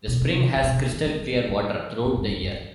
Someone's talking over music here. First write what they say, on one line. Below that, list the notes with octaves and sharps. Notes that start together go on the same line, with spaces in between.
The spring has crystal clear water throughout the year.
B2
C3
D3
C3
D3
E3
F3
E3
D3
A2
A2
G2
F2
G2